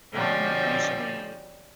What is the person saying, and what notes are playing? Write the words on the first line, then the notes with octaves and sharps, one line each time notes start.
um, usually
B2 D3 F3 G3 C#4